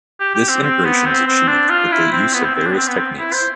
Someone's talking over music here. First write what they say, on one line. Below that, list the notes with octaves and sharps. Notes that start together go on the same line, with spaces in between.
This integration is achieved with the use of various techniques.
G4
G4
C4
C4
B3
C4
C4
D4
F4
E4
C4
B3
C4
C4
D4
B3
C4
B3
C4
E4
C5